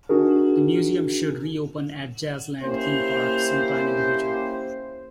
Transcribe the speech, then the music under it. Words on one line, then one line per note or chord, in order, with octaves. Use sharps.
The museum should reopen at Jazzland Theme Park some time in the future.
D4 D#4 F#4 G#4 A#4
A#3 C#4 E4 G4 C5